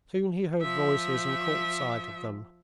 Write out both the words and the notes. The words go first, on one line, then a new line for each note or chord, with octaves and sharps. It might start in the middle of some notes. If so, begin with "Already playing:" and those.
Soon he heard voices and caught sight of them.
F3 E5